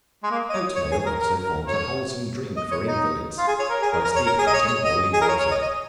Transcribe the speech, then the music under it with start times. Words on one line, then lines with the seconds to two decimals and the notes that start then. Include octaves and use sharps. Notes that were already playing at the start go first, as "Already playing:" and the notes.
Oatmeal also forms a wholesome drink for invalids, by steeping it in boiling water.
0.23 G#3
0.31 A#3
0.50 D#5
0.53 C#5
0.76 C#5
0.91 G#4
1.06 A#4
1.21 A#4
1.44 A#4
1.67 C#5
2.56 D#5
2.71 C#5
2.87 D#4
3.38 F4
3.47 G#4
3.59 C#5
3.69 A#4
3.82 G#4
3.92 A#4
4.04 A#4
4.16 C#5
4.26 A#4
4.39 G#4
4.47 D#5
4.53 C#5
4.68 C#5
4.83 D#5
5.13 G#4
5.21 A#4
5.28 C#5
5.39 C#5
5.51 D#5
5.62 D#5